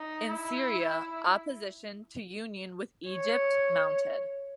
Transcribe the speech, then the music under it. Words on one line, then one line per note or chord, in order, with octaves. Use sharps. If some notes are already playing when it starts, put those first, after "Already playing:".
In Syria, opposition to union with Egypt mounted.
Already playing: D#4
E4
C#5